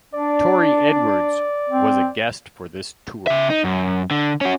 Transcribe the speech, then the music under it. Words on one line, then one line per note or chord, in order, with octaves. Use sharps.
Tory Edwards was a guest for this tour.
D4 D5
C4
C#3 E5
D#4
F#2
D3
C#4 F#4